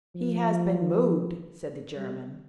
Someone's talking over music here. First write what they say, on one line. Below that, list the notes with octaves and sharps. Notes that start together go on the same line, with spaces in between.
"He has been moved," said the German.
F3
G3